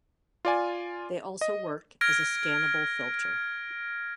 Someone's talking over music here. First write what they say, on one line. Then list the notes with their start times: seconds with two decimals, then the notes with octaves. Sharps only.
They also work as a scannable filter.
0.45 F4 D5 G#5
1.41 D#5
2.01 F6 G#6 A#6 D7